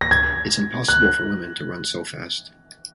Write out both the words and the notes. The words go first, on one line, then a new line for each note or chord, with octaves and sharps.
It's impossible for women to run so fast.
A#6
G#6
F#6